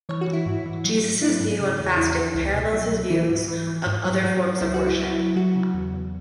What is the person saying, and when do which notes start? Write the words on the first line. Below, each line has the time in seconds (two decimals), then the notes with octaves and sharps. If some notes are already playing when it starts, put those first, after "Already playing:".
Jesus' views on fasting parallels his views of other forms of worship.
0.09 E3 C#5
0.21 F#4
0.27 E3
0.33 E4
0.46 G#2
0.66 E3
0.85 F#3
1.03 G#2
1.22 F#3 E4
1.40 G#2
1.60 C#3
1.79 E2
1.97 E2 E4
2.17 E3
2.34 C#2
2.54 B2
2.73 F#3
2.92 C#2
3.10 E3 E4
3.29 G#2
3.48 E3
3.67 E3
3.86 G#2
4.05 F#3
4.23 G#2 F#4
4.43 F#3
4.61 C#2 E4
4.74 F#4
4.80 C#2
4.86 E4
4.99 F#3 E4
5.18 F#3
5.36 F#3 F#4
5.56 C#3
5.74 E2
5.94 E2